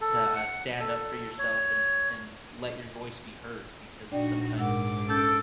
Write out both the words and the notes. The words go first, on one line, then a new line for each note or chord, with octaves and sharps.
to, uh, stand up for yourself and and let your voice be heard, because sometimes
A4
F#5
A4
C#5
A#1 D4 D#4 F#4 D5 G5
G#2 A#4 F#5 D6 E6
C#4 A4 E6 G6